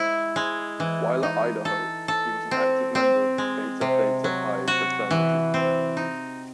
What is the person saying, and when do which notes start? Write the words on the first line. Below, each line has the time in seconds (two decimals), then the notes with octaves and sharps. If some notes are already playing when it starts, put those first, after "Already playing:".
While at Idaho, he was an active member of Beta Theta Pi fraternity.
Already playing: G#3 E4
0.36 G#3
0.80 E3
1.23 D#4
1.65 A4
2.08 A4
2.51 C4
2.95 C4
3.38 G#3
3.81 C3
4.24 F#3
4.68 F#4
5.11 E3
5.54 C4
5.97 D#4